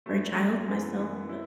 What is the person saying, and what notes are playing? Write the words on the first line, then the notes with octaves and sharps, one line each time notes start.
or a child myself, but
F#2 F#3 A3
F#2 F#3 A3
F#2 E3 B3 E4
F#2 E3 B3 E4
E4